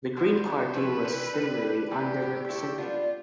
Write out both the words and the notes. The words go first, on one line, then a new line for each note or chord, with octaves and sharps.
The Green Party was similarly under-represented.
D3 F3 B3 F4 C5
G3 B3 E4 G4
C3 F3 A3 E4 A4 B4
C3 E3 A3 D4
D3 G3 D4 A4
G3 D4 G4
E3 G3 B3 D4 G4 A4
A2 G3 B3
D3 A3 E4 G4 A4
G3 B3 D4 F4